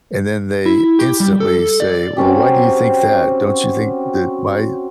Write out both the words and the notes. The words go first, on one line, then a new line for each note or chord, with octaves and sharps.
and then they instantly say, “Well, why do you think that? Don't you think that my
E4
G4
G3
A4
D5
F#3 C4 C#4 G4